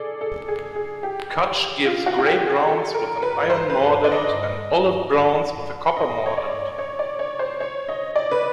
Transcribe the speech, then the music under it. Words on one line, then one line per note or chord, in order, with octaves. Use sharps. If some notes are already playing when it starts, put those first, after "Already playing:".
Cutch gives gray-browns with an iron mordant and olive-browns with a copper mordant.
Already playing: G#4 A4 D5
A4
G#4
G#4
G4
F4
F#4
F#4
G4
G#4
A4
A#4
B4
C5
B4
D5
D#5
D#5
C#5
D5
C#5
D5
C#5
C5
C#5
D#5
D5
B4